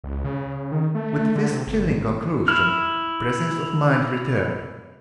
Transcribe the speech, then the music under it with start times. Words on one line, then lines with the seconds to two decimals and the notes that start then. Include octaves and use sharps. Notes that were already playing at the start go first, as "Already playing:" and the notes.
With this chilling conclusion, presence of mind returned.
0.04 C#2
0.25 C#3
0.72 D#3
0.95 A3
1.36 D3
1.52 C3
1.67 G1
1.84 G#1
2.48 E4 F6